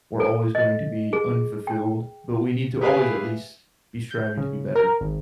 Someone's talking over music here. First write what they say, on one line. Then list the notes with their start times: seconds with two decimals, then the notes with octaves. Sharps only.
We're always going to be unfulfilled, but we need to always at least be striving to be better,
0.20 A4
0.55 D#5
1.13 G#4
1.67 G5
2.81 G4 G#4 B4 E5 F5 G#5
4.11 G6
4.38 C#3
4.75 A#4
5.01 G#1